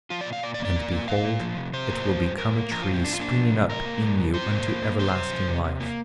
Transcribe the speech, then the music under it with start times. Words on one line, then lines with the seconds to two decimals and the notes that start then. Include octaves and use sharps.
And behold, it will become a tree, springing up in you unto everlasting life.
0.10 F3 F4
0.21 D5
0.27 A#2
0.33 F5
0.43 A#2 D5
0.54 D5
0.60 A#3
0.65 D5
0.76 A#3
0.91 A#3
1.07 A#2 F5
1.24 A#2
1.40 F3
1.57 C3
1.73 C3 C5
1.90 A#3
2.06 F3
2.23 G2
2.38 G2 A#4
2.55 A#3
2.71 F3 A#4
2.82 A#2 F4
2.93 C4
3.04 A#2 D4
3.13 F4
3.19 A#3 D4
3.36 F3
3.52 C3
3.69 C3 A#4
3.85 A#3
4.01 G3
4.18 C3
4.34 C3 C5
4.51 A#3
4.67 A#3
4.83 A#3
4.99 C3 C5
5.15 C3
5.31 F3
5.48 C3
5.65 C3
5.80 A#3